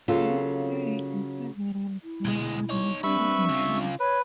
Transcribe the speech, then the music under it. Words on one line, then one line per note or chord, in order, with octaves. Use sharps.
Buller played several guest roles on the show.
C#3 F#3 A#3 F4 A4
E4
D2 B2 G#3
D#4 C#5
G3 C4 D4 B4 E5 C#6
C#3 F4
B4 C#5